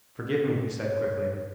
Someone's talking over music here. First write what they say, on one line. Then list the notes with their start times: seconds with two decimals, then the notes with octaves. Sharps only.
"Forgive me," he said quickly.
0.82 C#5